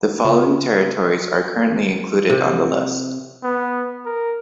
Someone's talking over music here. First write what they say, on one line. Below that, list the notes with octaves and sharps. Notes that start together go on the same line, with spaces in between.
The following territories are currently included on the list.
C#3 F4
C3
B3
A#4